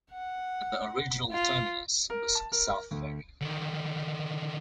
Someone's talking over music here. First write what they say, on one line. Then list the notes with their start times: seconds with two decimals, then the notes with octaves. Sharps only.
The original terminus was South Ferry.
0.12 F#5
1.32 F4
2.10 A#4
2.35 A5
2.52 A#4
2.91 D2
3.41 D3 D#3